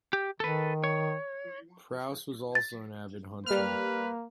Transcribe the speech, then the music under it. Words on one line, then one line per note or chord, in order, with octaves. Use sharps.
Prowse was also an avid hunter.
G4
D#3 A4 B4
C#5
A6
G3 A#3 B4 F6